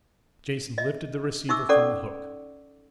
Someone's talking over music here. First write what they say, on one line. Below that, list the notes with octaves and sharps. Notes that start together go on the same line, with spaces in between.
Jason lifted the receiver from the hook.
D#5 E5
D#4 E5 C#6 D6 E6
C#4 A4 D5 F#5 C#6 D6